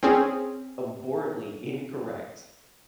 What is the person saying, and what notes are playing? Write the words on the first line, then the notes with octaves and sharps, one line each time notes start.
abhorrently incorrect
C4 C#4 G#4